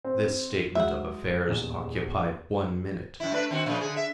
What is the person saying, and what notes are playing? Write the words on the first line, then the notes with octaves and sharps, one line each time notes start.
This statement of affairs occupied one minute.
C4
F#3 G#3 E5 F#5
D#1 E2 E7
F#2 E4
A3 D4 B4
D#3 C4 F#4
A#2 C#3 F3
D3 G#4
E5